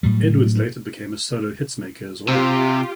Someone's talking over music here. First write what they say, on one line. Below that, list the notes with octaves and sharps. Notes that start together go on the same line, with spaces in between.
Edwards later became a solo hits maker as well.
A2 F#3 G3
C3 F4 G4